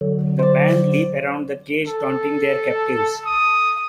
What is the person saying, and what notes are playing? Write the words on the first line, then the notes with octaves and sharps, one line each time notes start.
The band leap around the cage taunting their captives.
D3 F#3
C5 D5
A4
D#6